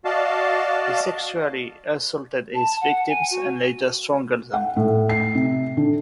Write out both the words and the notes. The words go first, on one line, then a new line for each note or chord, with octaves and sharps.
He sexually assaulted his victims and later strangled them.
F#4 D5 D#5 F5 A5
A5
F#5
G#5
F#4
F#5
A2
C7
C3
D3